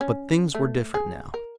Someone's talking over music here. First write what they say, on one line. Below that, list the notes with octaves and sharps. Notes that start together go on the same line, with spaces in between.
But things were different now.
C#4
A3
G#4
A#4